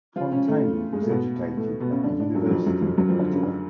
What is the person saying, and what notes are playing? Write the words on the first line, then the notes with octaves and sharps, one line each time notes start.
Fontaine was educated at the University of Ottawa.
F3 F4
C#3 C#4
A2 A3
G#3
A3
B2 B3
A2 A3
B2 B3
C#3 C#4
D3 D4
D3 D4
F#2 F#3
F#3
F2 F3
F#2 F#3
F2 F3
F#2 F#3
F2 F3
D3
C#3